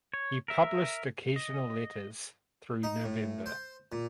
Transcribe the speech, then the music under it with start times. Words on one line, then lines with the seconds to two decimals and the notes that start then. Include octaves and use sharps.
He published occasional letters through November.
0.14 C#5
0.48 A#4 E5
1.36 D#5
2.83 D#4
3.04 A2
3.46 C5
3.92 A#2